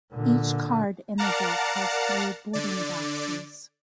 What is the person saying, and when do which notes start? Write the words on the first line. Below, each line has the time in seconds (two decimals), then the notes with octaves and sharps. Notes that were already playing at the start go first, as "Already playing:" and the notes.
Each card in the deck has three boarding boxes.
0.13 A#2 D3
1.18 A#4 D5 F5 F#5 A5 A#5
2.53 D3 D5